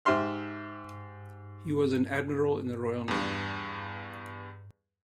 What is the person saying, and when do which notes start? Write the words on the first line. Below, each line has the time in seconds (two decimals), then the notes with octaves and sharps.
He was an admiral in the Royal Navy.
0.05 G#2 G4 E5 C6 F6
3.08 E2 G2